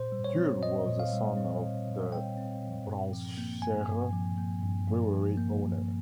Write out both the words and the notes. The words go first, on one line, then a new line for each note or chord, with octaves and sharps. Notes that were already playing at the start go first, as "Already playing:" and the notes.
Dürre was a son of the Braunschweiger brewery owner...
Already playing: A#2 C5
G3
C#5
C4
A#2 D#5
A#2
F5
G3
C4
A#2
A#2
G3 G5
C4
A#2
G2
F3
A#3
G2 G#5
G2
F3
A#3
G2
G2
F3
A#3
G2